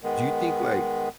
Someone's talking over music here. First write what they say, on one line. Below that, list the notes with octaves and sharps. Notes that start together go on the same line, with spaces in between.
do you think like
D#3 G#3 B3